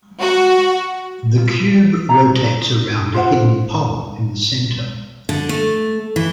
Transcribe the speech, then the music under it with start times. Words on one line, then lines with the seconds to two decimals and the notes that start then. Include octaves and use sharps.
The Cube rotates around a hidden pole in the center.
0.21 F#4
1.38 F4
2.09 A#5
3.14 F4 C5 F#5
5.29 D3
5.49 A3
6.16 E3